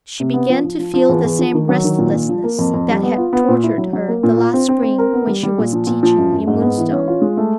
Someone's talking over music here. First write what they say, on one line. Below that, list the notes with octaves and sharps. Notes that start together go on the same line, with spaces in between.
She began to feel the same restlessness that had tortured her the last spring when she was teaching in Moonstone.
C3
B3
F3
F3
F3
F3
E2
E2
F3
D#3
F#3
D#3
A#2
A#2
F3
A#3
F2
F2
G3
B3
F4
B3
A#2
E4
F#3
F#3
A#3
A#2
F4
C4
C4
C4
A#4
B3
G3
G3
A#2
F3
A#2
F3
F#2
F#2
G#2
B3
E3
C#4
F4
G#3
A3